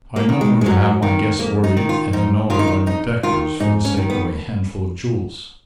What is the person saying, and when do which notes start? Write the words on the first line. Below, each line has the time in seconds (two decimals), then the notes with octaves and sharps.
I am not going to have my guests worried and annoyed by detectives for the sake of a handful of jewels.
0.16 A#3
0.29 D#3
0.41 G#3
0.61 G#3
0.66 F#2 F#3
1.02 D#3
1.39 F2 A#3
1.64 D#4
1.77 D#3
1.89 F4
2.13 G#2 D#4
2.50 D#3 F4
2.59 D#4
2.67 F4
2.86 F2 D#4
3.23 D#3 F4
3.60 G#2 D#4
3.85 C#4
3.97 D#3
4.10 B3